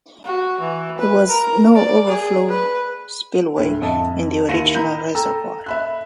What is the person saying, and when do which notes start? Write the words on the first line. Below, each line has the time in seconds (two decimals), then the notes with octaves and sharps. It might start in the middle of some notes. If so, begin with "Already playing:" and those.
There was no overflow spillway in the original reservoir.
0.24 F#4
0.60 E3
0.98 B4
1.28 A#4
1.75 D5
2.07 G#4
2.49 B4
3.57 D2 A2
3.81 F2 D#5 E5 A5
4.48 D#2 E4 A#6 C#7 D#7 E7
4.75 A#5 B5 G6
5.15 A4 G5 A#5 E6
5.66 E5 B5 F#6